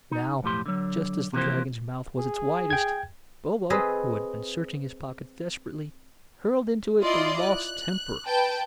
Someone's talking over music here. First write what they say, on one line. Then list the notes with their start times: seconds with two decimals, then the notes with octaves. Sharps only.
Now just as the dragon's mouth was its widest, Bobo who had been searching his pockets desperately, hurled into it the lost temper.
0.11 D#4
0.43 B1 F2 A2 G4 C6
0.66 D3 F#3
1.33 C3 E3 F3 A#3 G4 C5
2.18 G#4
2.70 G5 G#6
3.70 C4 G#4 A4 B4 D#5
7.02 E4 F4 D5 D#5 C6
7.41 F#6
8.27 B4 G5 A5